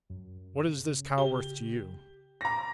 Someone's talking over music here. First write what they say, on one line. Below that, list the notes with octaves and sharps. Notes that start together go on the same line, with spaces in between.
"What is this cow worth to you?"
F#2
C#3
G4 G7
A#5 D6 A#6